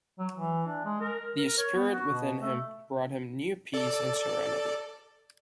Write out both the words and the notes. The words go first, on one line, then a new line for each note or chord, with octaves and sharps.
The spirit within him brought him new peace and serenity.
F#3
E3
D4
G#3
A#4
A#4
C#5
B3
F#4
B2
A3
A4 D5